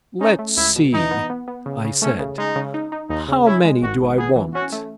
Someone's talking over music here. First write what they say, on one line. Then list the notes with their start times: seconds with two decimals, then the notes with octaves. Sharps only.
"Let's see," I said, "how many do I want?"
0.21 C#4 D#4
0.39 A3
0.57 C#2 E4
0.76 B2
0.94 E3 D#4
1.11 B3
1.30 B3
1.48 B3
1.66 C#3
1.84 C#3
2.02 A3 C#4
2.19 C#3
2.38 G#3 D#4
2.56 C#3
2.74 D#4
2.92 D#4
3.10 D#2 D#4
3.28 C#3
3.46 C#4 E4
3.65 G#3
3.82 G#1 F#4
4.01 G#1
4.18 B3 G#4
4.36 E3
4.54 C#4 F#4
4.72 A3